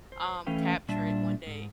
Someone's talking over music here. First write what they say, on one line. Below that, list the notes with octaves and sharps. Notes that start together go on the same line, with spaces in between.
um, capture it one day
C5
E3 A3 C#4 B4 F5 G5
A#2 G3 D4 E5 A5
G#2